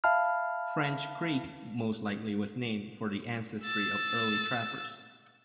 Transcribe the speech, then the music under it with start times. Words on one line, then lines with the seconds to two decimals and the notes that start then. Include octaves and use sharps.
French Creek most likely was named for the ancestry of early trappers.
0.04 E5 F5 A5 B5 F6
3.64 E6 A6